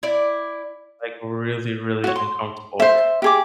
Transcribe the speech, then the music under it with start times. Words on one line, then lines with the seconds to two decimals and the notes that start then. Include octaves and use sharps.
like, really, really uncomfortable,
0.03 E4 D5
2.04 F#4 C#5
2.16 C6
2.80 C5 E5
3.22 G4 G#4 D6